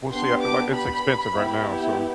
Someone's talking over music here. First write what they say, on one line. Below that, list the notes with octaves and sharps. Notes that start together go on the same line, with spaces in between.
we'll see, I like, it's expensive right now, so
B3 D4 G4 C6
D6
B5
B3 E4 G4